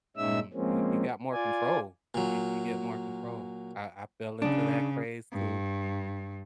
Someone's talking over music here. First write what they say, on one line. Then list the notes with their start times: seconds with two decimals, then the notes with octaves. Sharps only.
Um, you you got more control. You you get more control. I I fell into that craze too,
0.17 A#2 G#3 C#4 D#4 E5 E6
0.54 F3 G#3 A#3 C4 C#4
1.32 F4 D5 G#5
2.15 A#2 F#3
4.42 C#3 D4
5.32 G2